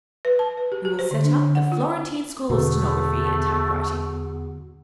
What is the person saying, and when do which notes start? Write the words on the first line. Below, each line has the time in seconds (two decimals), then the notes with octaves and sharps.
We will set up the Florentine School of Stenography and Typewriting.
0.25 B4
0.39 A5
0.57 B4
0.72 G4
0.85 G4
0.99 C5
1.11 D3
1.24 D4
1.39 D3
1.55 F#5
1.72 F4
2.50 E2 B2 D3 A3 B3 F#4